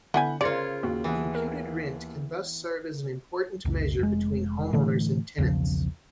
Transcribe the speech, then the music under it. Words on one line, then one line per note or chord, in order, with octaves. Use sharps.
Imputed rent can thus serve as an important measure between home owners and tenants.
D3 E3 B3 F#5 G#5 G6
C#3 F4 A#4 C5 D5 C6 G#6 C#7
D#2 F#4
E3 B3
A#4
F#1 C#2
F1 G#3
A2 D3 E3 A3
B1 E2 C#3 F3